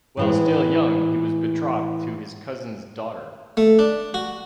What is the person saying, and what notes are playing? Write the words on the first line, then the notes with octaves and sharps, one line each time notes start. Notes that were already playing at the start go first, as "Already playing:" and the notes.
While still young he was betrothed to his cousin's daughter.
A2 E3 G#3
A3
D4
F#4